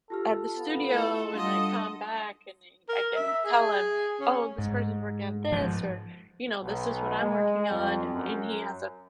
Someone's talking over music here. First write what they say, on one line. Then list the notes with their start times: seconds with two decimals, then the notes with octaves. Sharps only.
at the studio and I come back and then I can tell him, "Oh, this person's working on this," or, you know, "This is what I'm working on," and and he has an
0.10 F4 G4 A4 F6
0.56 B3 A4 F5
0.90 A3 E4 A4 D#5
1.33 G3 D4 F4 A4 D#5 F#5 G7
2.89 A#4
3.15 E5
3.45 G#4
4.20 C#4
4.58 G#2
5.52 G#2 F3
6.62 B1
7.19 G#3
7.70 F2
8.11 F#2